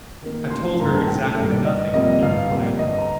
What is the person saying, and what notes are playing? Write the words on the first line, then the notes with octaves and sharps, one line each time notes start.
"I've told her exactly nothing," he replied.
D#3 A#3
A1 C6
C6
G2 D#3 G3 A#3 A#5
A5
A1 G5
A4
G2 D#3 G3 A#3 A#4
D5
G1 D#5
F2 C3 G3 A#3 D#5
G1 F5
F2 C3 G3 A#3
G1 D#5
A#5